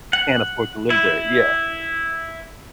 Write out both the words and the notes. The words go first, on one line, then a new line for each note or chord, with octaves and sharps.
Can't afford to live there. Yeah.
F#5
E4